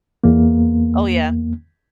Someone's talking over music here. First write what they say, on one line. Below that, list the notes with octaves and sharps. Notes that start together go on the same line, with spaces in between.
Oh, yeah.
E2 A#3